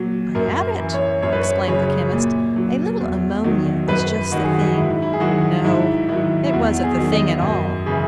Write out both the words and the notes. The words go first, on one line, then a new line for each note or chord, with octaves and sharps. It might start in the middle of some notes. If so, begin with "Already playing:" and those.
"I have it!" exclaimed the chemist,--"a little ammonia is just the thing!" No, it wasn't the thing at all.
Already playing: A#2 F#3
F#2 A#4
E3
C#5
F#2 C#5
B4
C#5
C#3 F#3 C#5
A#2
F#3
E2
D#3 F#3
F#2 B4
D#3 F#3 F#4
G#4
F#4
G#2 E4
E4
G#4
D#3 F#3 F#4
G#2 E4
D#3 F#3 E4
E4
E2 F#4
G#4
D#3 F#3
D#5
F#2
C#3 E3